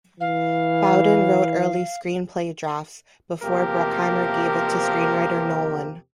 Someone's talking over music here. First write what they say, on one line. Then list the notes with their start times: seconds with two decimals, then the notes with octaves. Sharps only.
Bowden wrote early screenplay drafts, before Bruckheimer gave it to screenwriter Nolan.
0.20 E3 F5
3.42 E2 C3 F3 A#3 G4 A#4